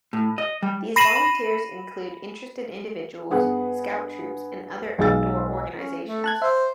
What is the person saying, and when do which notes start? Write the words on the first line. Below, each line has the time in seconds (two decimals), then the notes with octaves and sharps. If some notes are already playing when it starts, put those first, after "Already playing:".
These volunteers include interested individuals, scout troops, and other outdoor organizations.
0.13 A2
0.38 D#5
0.62 G3
0.96 B5 A#6 C7 D#7 E7 F#7
3.30 G2 B3 G#4 B4 F#5
4.98 B1 B2 G#3 G#4 E6 A6
5.76 C#4
6.03 A3
6.24 A5 F#6 G#6
6.42 C5 E5